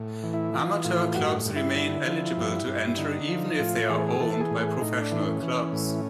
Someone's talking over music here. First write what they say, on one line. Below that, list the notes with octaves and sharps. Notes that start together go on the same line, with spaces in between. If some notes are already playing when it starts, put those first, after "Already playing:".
Amateur clubs remain eligible to enter even if they are owned by professional clubs.
Already playing: A2
E3
E4
E3 F4
A2 F4
G2 F#4
G2
E4
D3
F3
G2
G2
D3 D#4
F3
A2 F4
E3 G#4
E3 A4
G#4
A2
G#4
A2 D#4
D4
E3
C#4
E3
A2